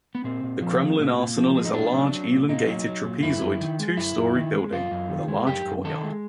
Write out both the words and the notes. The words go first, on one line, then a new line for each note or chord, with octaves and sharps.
The Kremlin Arsenal is a large elongated trapezoid two-story building with a large courtyard.
B3
A#2 C4
A#2
F3
G#3
A#2
A#2
F3
G#3
D#4
A#2 D4
F#3
F#3
A#2
A#2 D#4
F#3
F#3
A#2
F#2 E4
F#2
D#3
G#3
F#2 E4
F#2
D#3
G#3
F#2 F4
F#2
D#3
G#3
F#2 G4
F#2
D#3 A4
G#3